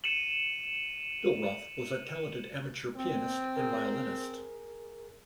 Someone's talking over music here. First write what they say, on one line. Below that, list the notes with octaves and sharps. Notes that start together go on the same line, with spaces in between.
Billroth was a talented amateur pianist and violinist.
C#7 D#7 E7 F#7
C4
G#4 A#4